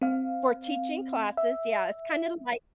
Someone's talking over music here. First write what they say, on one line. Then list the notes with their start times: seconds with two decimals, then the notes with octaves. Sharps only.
for teaching classes, yeah. It's kinda like
0.02 C4 F5
1.37 E5